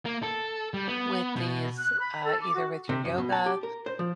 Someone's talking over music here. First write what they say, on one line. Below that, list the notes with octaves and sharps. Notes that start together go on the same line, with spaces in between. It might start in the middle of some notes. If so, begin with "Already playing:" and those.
with these uh, either with your yoga
A#3
A4
G3
B3
B2
F#6
B5
A4
D6
F#4
C3
F#2
B2
A5
G4
A#4
C5
F3